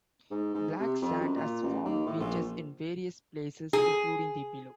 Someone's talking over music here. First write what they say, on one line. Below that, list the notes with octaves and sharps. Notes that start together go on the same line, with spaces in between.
Black sand has formed beaches in various places, including the below.
G#2
G#2
C3
F2
F#2
A#2
A1
D#2
A2
A#1
A#1
G#4